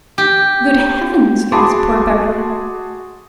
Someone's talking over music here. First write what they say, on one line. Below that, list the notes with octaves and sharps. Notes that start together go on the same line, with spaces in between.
"Good heavens!" gasped poor Beverly.
G4
F#4 G#4 A5 B5 C6 D6